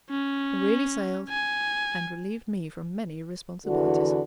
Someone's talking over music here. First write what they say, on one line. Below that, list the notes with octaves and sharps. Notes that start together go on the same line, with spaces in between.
'Really sailed, and relieved me from many responsibilities.
C#4
G#5
E2 D3 E3 F#4